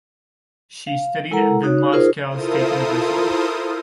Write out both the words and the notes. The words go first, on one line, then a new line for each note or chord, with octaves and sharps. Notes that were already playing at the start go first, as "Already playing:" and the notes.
She studied at the of Moscow State University.
F5
G#3 E4 A4 A#4 F#5 A#5
D#4 F#4 C#5
D#4 F4 G#4 A#4 C5
E4 F4 A4 A#4 C5 D#6